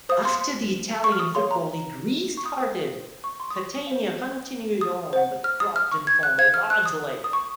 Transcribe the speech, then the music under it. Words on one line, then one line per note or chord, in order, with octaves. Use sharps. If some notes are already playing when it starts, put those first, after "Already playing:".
After the Italian football league restarted, Catania continued on but dropped in form largely.
C5 F5 D#6
C6
C#6
F6
D#6
G#4 C#5 F5 C6
A#5
C#6
D#6
C5 F5 D#6
C#6
C6
D#6
C#6
C5 F5
D#6
C5 F#5
F6
D#6
F6
C#6
G#6
F#6
C5 F5 G#6
F6
F#6
D#6
D#6
C#6